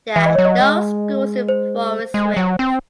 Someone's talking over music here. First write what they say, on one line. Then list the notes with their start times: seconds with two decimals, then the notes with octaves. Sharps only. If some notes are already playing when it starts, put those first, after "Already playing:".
There are no schools in Forest Ridge.
0.16 E3 E5
0.26 D#5
0.35 F#3 C#5
0.45 D#5
0.61 G#3
1.49 C5
2.14 G#3
2.37 F#3
2.59 C4